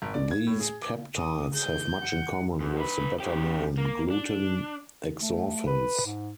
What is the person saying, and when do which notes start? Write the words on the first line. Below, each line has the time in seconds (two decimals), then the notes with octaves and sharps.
These peptides have much in common with the better-known gluten exorphins.
0.02 G#1
0.14 D5
0.31 G#6
0.47 A2
0.60 G#4
0.82 D6
1.16 D6 D#6
1.53 G#4 G6
2.00 F#5
2.61 E2
2.77 D3 B4
3.20 C#3 G4
3.78 A#3
4.10 D4
5.20 A3
5.67 B4
6.06 G#2